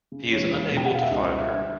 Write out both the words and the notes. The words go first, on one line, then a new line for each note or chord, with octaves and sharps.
He is unable to find her.
C#3
E1 C#5
E1
B2
G5
F#5
B2 F5
E5
C#2 D#5
D#5
G3
E5
D3 E5